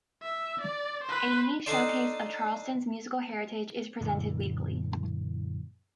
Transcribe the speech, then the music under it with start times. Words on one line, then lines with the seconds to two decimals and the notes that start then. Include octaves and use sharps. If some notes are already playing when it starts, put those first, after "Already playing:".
A unique showcase of Charleston's musical heritage is presented weekly.
0.23 E5
0.62 D5
1.04 B4 C5
1.66 D4 D#4 A4 C5 D5
4.01 F#2 A#2 D3 E3